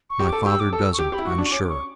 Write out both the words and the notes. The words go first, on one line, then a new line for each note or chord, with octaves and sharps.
My father doesn't, I'm sure.
C#6
G4
A4 D6
G4 E6
D6
A4 E6
C#6
G4 D6
G4 B5
E4
F#4 C#6
D4
C#6
C#4 D6
D6
C#6